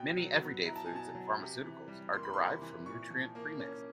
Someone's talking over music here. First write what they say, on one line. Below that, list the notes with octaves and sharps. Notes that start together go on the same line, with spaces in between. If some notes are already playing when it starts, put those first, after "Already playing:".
Many everyday foods and pharmaceuticals are derived from nutrient premixes.
Already playing: B2 G5
F#3
B3
E4 A#5
A5
G#5
B2 A5
F#3
C3
E3
G3
A#3 C6
B5
C3 C6
E3
A#2 C#6
F3
A#3
C#4